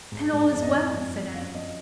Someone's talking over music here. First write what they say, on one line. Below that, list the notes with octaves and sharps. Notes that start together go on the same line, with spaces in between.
"Then, all is well," said Annie.
G#2
G#2
F2 D5
D#5
F2 D5
F2
F2
F#2 F5
F#2 D#5